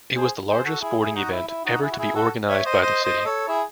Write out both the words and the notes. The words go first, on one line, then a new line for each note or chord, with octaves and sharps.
It was the largest sporting event ever to be organised by the city.
G#4 C5
G#4 C5
F#4 A4
E4 G#4
E4 G#4
D#4 F#4
E4
E4
D#4 F#4
E4 G#4
F#4
E4 G#4
F#4 A4
C#5 E5
C5 D#5
C5 D#5
C5 D#5
D#5
A4 C#5
E4 G#4